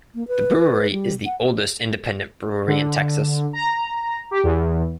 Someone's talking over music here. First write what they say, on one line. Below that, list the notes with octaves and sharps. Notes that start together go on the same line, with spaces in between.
The brewery is the oldest independent brewery in Texas.
A#3
B4
G3
F#5
D3
A#5
G4
E2